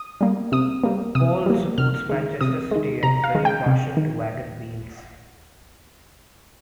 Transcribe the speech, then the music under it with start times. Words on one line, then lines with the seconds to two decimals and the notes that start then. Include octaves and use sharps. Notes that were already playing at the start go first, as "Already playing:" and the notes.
Paul supports Manchester City and is very partial to Wagon Wheels.
Already playing: D#6
0.21 G3 A#3
0.52 C3 D#6
0.84 G3 A#3
1.15 C3 D#6
1.46 G3 A#3
1.78 C3 F6
2.09 D#3 G#3
2.41 C3 D#6
2.71 D#3 G#3
3.03 C3 A#5
3.24 F5
3.35 D#3 G#3
3.45 G5
3.66 C3
3.97 D#3